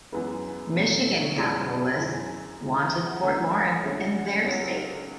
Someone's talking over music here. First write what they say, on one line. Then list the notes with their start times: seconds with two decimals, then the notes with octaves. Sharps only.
Michigan capitalists wanted Port Lawrence in "their" state.
0.12 F#2 E3 G#3 B3 B4
0.74 B2 A3 C#4
1.05 A4
1.21 C#5
1.36 F#2 E3 G#3 B3 D5
1.67 D5
1.83 G#5
1.98 F#2 E3 G#3 G#5
2.59 E2 D3 G#3
2.91 E5
3.06 F#5
3.22 D2 D3 F#3 A3 C#4 G#5
3.53 F#5
3.69 G#5
3.83 D2 C#3 G#3 C#4 E5
4.15 F#5
4.30 G#5
4.45 C#2 C#3 F#3 C#4 F#5